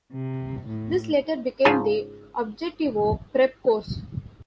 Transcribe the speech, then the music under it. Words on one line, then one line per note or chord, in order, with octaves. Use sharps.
This later became the Objetivo prep course.
C3
A2
G#2 C#3 F4 G#4 A5